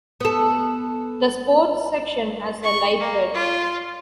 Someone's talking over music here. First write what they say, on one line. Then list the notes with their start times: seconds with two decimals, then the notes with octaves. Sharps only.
The sports section has a light bed.
0.20 B3 A4
2.63 C#6
3.00 A#3
3.33 F4